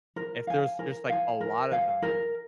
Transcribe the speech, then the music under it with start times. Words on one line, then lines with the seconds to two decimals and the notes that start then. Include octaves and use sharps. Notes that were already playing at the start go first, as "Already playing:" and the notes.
if there's just, like, a lot of them, and
0.16 A#4
0.47 F5 G#5
0.79 A#4
1.09 F5 G#5
1.41 A#4
1.72 F5 G#5
2.02 A#4